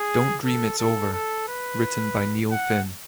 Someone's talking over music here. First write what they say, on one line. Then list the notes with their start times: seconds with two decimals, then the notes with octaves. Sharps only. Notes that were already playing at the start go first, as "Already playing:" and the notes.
"Don't Dream It's Over" written by Neil Finn.
Already playing: G#4
0.44 A4
0.79 A4
1.13 A4
1.48 B4
2.51 F#5